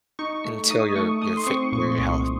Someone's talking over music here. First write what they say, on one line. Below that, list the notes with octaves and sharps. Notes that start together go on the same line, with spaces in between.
Until you're you're fit for your health.
D#4 C#6
A3
D#4 D#6
A3 C#6
A3 D#6
C6
C4 C#6
A#2 C#6
C2